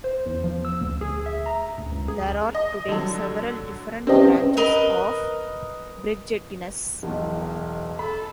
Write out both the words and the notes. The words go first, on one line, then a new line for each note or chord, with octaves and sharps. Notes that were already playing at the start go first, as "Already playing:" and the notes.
There are today several different branches of Bridgettines.
C5
E2
F3
E6
D2
G#4
E5
A#5
D2
C#2
G#4
D#5
D3 F#3
E2 G2 C3 C4 C#4 D#5
A#4 B4 D#5
E1 B1
A4 B5